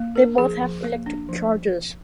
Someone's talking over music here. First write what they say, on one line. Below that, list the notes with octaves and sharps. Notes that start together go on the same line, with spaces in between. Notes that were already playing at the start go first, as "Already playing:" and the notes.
They both have electric charges.
Already playing: A#3
D4 A#4
F3 G#4
F3
A#3
D4
F3